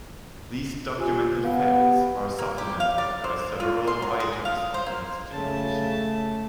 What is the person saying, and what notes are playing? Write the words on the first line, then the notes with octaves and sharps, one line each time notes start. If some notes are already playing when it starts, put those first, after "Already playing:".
These documented facts are supplemented by several writers of the next generation.
F4 G4 G#5
B3 F5
G4
A#3
G4
F5
D5
C5
F4
C6
F#3
G#4
F5
C5
A#3
C#3 A3 A5